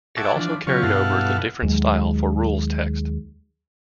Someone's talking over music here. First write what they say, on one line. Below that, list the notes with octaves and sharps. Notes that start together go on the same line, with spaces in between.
It also carried over the different style for rules text.
E5 F#5 G#5 A5 C#6 D6
E3 F3 D4
C#3 F#3 F4 C#6
G2 B2 E4 A4 F5 F#5
D#2 F#3 G#3